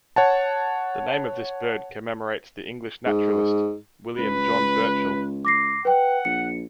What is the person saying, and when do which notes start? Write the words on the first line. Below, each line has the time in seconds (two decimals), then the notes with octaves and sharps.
The name of this bird commemorates the English naturalist William John Burchell.
0.16 C#5 F#5 A5
3.06 G#2
4.17 C#2 B4
5.45 D6 A#6 C7
5.85 B4 F#5 G5
6.25 A#1 C#7